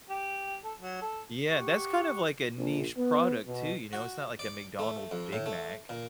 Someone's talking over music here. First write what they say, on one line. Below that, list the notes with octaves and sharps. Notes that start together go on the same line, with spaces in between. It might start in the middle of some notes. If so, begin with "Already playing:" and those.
yeah, that's kind of like a niche product too, you know? It's not like a McDonald’s Big Mac.
G4
A4
F#3
A4
G4 F#5 C#6
A#1
B3
B2
F#4
D5
A3
F2
A2
A3
A#2